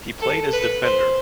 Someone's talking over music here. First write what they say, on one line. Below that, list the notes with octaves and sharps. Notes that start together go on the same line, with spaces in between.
He played as defender.
A4
B4
C5